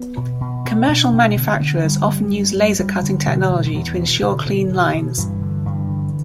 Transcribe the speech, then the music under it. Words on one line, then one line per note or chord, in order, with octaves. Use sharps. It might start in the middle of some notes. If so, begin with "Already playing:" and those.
Commercial manufacturers often use laser cutting technology to ensure clean lines.
Already playing: B3
B2
B2
B2
B2 D4
B2
D3 B3
D3
G2 G3
G2
G2
G2
G2 G3
D3
B2
B2
D3
E2 E3
B2
B2 D3
B2
B2
B2
G2 E3
D3
G2
D3